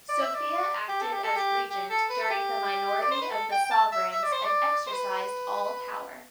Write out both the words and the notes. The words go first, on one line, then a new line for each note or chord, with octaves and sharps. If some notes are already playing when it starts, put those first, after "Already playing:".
Sophia acted as regent during the minority of the sovereigns and exercised all power.
D5
E5
D5
G4
A4
G4
A4
G4
G4
A4
B4
A4
G4
D5
C5
B4
A4
G5
G5
A5
E5
E5
D5
C5
D5
C5
B4